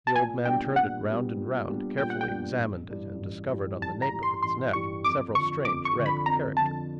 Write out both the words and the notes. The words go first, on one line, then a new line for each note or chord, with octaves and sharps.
The old man turned it round and round, carefully examined it, and discovered, on the nape of its neck, several strange red characters.
A5
A#2 G#5
G3 B3 D4 G5
A#2 F#5
G3 B3 D4
A#2
G3 B3 D4
A#2 G5
F#5
G5
G3 B3 D4
A1
G2 E3 G3
A1
G2 E3 G3
A1 A5
A#5
G2 E3 G3
C6
A1 C6
G2 E3 G3 C#6
F2 D6
D3 F3 C#6
F2 D6
C#6
D3 F3
B5
F2 A#5
D3 F3 A5